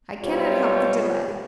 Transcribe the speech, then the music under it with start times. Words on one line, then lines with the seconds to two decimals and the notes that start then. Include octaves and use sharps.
"I cannot help the delay."
0.23 F#2 B2 G3 F4 C5 C#5